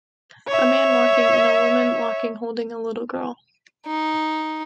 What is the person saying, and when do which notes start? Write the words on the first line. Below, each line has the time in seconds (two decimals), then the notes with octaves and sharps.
A man walking and a woman walking holding a little girl.
0.47 C#5 E5
3.87 D#4